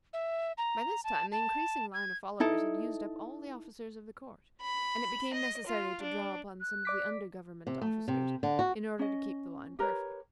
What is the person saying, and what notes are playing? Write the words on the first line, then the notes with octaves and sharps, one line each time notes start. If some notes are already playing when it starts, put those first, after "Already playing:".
By this time the increasing line of followers had used up all the officers of the court, and it became necessary to draw upon some of the under government officers in order to keep the line perfect.
E5
A#5
A5
A5
G#6
D#4 E4 A4
B5
D#5
F4
D4
F#6
D5 D6 B6
C3
A3
C3
D3
F#4
C#4 D#5
G4 A#4 B4 C#5